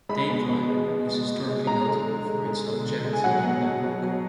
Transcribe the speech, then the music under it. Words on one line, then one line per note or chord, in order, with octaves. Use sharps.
"Dateline" is historically notable for its longevity on the network.
G#3 B5
B2
B2
G#3
G#3
B2
B2
G#3
G#3 A#5
D3
D3
G#3
G#3
D3
D3
G#3
G#5
F#3 F#5
B2
B2
F#3
F#3